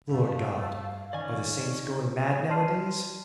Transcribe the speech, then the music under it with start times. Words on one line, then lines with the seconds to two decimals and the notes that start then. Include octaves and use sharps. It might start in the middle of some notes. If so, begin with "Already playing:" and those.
Lord God! Are the saints going mad nowadays?
0.09 B1 G2 A3 F5
1.13 D#3 B3 C#4 D5 D#5 G#5
2.49 D5 A5 C6 F6 C7 D#7